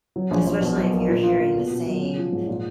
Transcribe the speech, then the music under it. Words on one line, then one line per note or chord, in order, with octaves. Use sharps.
Especially if you're hearing the same,
F#3
A#1
A#1
B2
B1
A#3
A#2
F4
A#2
B2
B2
F#3
C#4
F3
G#2
A#2